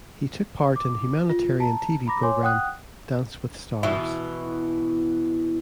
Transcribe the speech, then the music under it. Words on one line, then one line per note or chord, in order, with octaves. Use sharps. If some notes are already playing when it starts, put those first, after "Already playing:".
He took part in humanitarian TV programme "Dance with stars".
D6
F4
A5 A#5
A#5 B5 D6 A#6
C#5 G#5 C6 D6
F#5 G5 D#6 F#6
B2 E3 E4